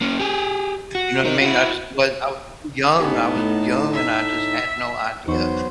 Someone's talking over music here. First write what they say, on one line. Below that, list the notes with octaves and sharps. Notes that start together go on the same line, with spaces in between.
you know what I mean? I just was I was too young, I was young and I just had no idea,
A#3 C#4
G4 G#4
F#4
D#4 A#4
E4 F#4
A2 B3 D#4 G4 G#5 A5
A3
E5
E2 F#3 B3 D#4 C5 C#6